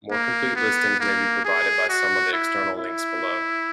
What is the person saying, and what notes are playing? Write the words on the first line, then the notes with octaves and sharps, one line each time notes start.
More complete listings may be provided by some of the external links below.
A#3
B3
A#3
G#4
F#4
E4
E4